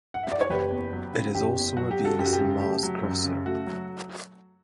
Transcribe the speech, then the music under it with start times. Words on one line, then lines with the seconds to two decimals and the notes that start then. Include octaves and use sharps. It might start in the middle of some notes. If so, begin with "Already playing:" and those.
It is also a Venus and Mars-crosser.
0.14 F#5
0.23 E5
0.32 D5
0.41 C#5
0.50 F#1 G4 B4
0.71 E2
0.93 F#3
1.13 C#3
1.35 F#1 G4
1.56 E2
1.76 F#3 F#4
1.91 G4
1.98 C#3
2.04 F#4 A4
2.19 F#2 G4
2.26 F#4
2.33 G4
2.40 C#3
2.61 A3 G4
2.83 F#3
3.03 F#2
3.24 C#3
3.46 A3 F#4
3.67 F#3